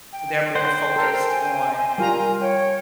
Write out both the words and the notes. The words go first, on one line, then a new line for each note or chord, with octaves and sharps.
they're more focused on,
G5
C5 F#5
A4 A#4
G#5
G3 F4 A#4 A#5
C#5 G5